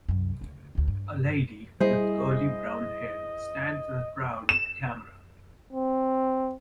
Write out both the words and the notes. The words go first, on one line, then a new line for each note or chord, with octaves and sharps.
A lady with curly brown hair stands in a crowd with a camera.
C2 F#2
D2 C#3
A1 D2
G2
G3 E4 G#4 C5 D#5
E7
C4